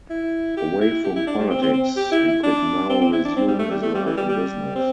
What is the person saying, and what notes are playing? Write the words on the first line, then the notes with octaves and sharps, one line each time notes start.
Away from politics, he could now resume his life in business.
E4
G4
E4
G4
E4
D4
G3
C4
C4
C4
G4
E4
E4
D4
C4
C4
E4
D4
C4
G3
A3
G3
A3
G3
E3
G3
G3
C4